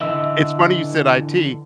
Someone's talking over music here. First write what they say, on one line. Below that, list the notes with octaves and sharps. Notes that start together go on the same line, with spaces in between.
It's funny you said IT.
D3 E3 D#5 E5 E6